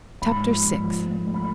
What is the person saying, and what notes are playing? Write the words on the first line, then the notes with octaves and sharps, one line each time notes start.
Chapter VI.
G#2 B5
F3
G#2
F3
A3
A3
B5